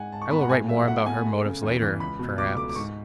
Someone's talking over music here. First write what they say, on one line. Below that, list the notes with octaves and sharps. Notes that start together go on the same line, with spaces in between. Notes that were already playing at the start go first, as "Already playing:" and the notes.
I will write more about her motives later, perhaps.
Already playing: G#2 G#3 F#5 G#5
G#2 A5
C#6
B3 B5
F#5
A2 G#5
F#3 E5
A2 F#5
B3 G#5
A3
C#3
E2
E3
C#2 B5
B2
C#2 D6
A3 D6
D6
G#2 C#6